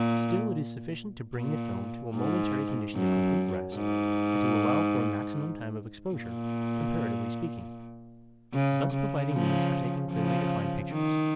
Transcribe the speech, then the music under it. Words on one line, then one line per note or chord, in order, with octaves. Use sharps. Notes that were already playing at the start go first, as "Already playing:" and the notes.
Still it is sufficient to bring the film to a momentary condition of complete rest, and to allow for a maximum time of exposure, comparatively speaking, thus providing means for taking clearly defined pictures.
Already playing: A#2
A#2
G#2
F#2
G#2
A#2
C#3
C#3
C#3 F3
C#3 F3
D#3